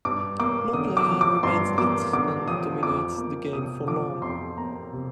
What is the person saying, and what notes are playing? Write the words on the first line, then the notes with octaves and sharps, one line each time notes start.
No player remains "it" and dominates the game for long.
G2 D6
A#3 D6
D3 D#6
D6
F3
D6
G2 C6
A#3 D6
D3 D6
F3 D#6
F2 D6
A#3
C3 D#6
F3 D6
F2 C6
A#3 A#5
C3